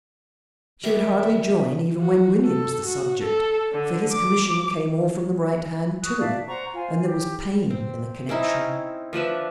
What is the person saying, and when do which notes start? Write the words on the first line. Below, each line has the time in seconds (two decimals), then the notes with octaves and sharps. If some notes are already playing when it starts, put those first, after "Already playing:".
She would hardly join even when William was the subject, for his commission came all from the right hand too, and there was pain in the connexion.
0.84 D#3 G3 E5
2.00 F#4
2.45 A4
2.85 F#4
3.23 A4
3.72 D3
4.12 D6
6.04 C#6 D#6 F#6
6.20 D5 E5 F5 A5
6.48 C5 F#5 A#5 C#6
6.75 F4 C5 G#5
7.02 G4
7.70 C4
8.29 C4 C#4 D#4 E4
9.13 F3 D4 B4 E5